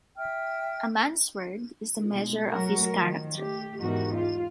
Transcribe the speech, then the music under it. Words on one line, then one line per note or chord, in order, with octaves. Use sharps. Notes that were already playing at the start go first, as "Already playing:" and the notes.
A man’s word is the measure of his character.
E5 G5 F6
B2 G#3
F#3 A3 F#4 A#4
D#3 F3
A3 G4
E2 G#2 D#4 F#4 G4 A#4
F4 F5